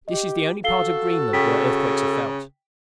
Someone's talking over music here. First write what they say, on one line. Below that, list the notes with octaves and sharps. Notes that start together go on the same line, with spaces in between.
This is the only part of Greenland where earthquakes are felt.
G4 D#5
F#4 A4 F5 C7 G7
C#3 G5 B6